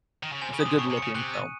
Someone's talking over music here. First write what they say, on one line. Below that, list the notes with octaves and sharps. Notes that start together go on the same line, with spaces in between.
It's a good-looking film.
D#3
C#3
C3 G#5
C#3
D#6
C3
A2 C#6
C3
C#7
C#3
C3 F#6
D#7